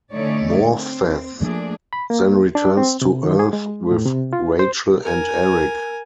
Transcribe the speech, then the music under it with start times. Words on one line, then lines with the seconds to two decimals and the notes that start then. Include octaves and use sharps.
Morpeth then returns to Earth with Rachel and Eric.
0.11 D3 A3 C#4 D#4 C#5 D5
0.73 C4
1.37 F3 A3 A#3 D4 G#4
1.93 B5
2.10 A#3
2.55 D4
2.77 C4
3.02 C3
3.23 D#3
3.39 G#4
3.53 G#3
3.91 A2
4.06 C3
4.33 F4
4.59 C5
5.02 A#4 G#5